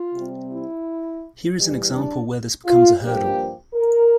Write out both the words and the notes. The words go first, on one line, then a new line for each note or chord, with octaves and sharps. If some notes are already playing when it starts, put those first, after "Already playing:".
Here is an example where this becomes a hurdle.
Already playing: F4
C3 G3 C4
E4
E2 E3 G3
D4
F4
G2 F3 A#3 G4
A#4